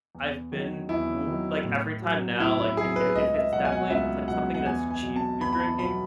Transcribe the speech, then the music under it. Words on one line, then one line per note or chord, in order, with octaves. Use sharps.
I I've been w like, every time now, like, if if if it's definitely, if it's, like, something that's cheap you're drinking,
E2
D#3 F#3
E2 E4
D#3 F#3
A2
F#3
A2 E4
E4
F#3 G#4
B4
C#2 D#5
E5
B2 F#3 F#5
G#5
F#5
C#2 E5
B2 F#3 F#5
F#5
E2 G#5
G#5
B2 F#3
A5
E2 B5
B5
A5
B2 F#3 B5